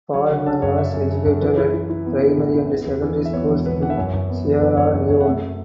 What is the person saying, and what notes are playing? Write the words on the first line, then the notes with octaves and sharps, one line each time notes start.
Palmer was educated at primary and secondary schools in Sierra Leone.
F#3 C#5
C#3 F#5
C#4 A5
F#2 C#5
C#3 E5
F#2
C#3
F#2
E3 B4
E4
E4
E4
B3
E4
A2
E4
B3
E2
E3
E3
E5
B3 C#5
E1
B3 B4
E3 F#5
E5
F#2 C#5
F#2
B3
E3
F#2 B4
F#2 C#5
F#2 F#5
F#2 C#5
F#5
A3 E5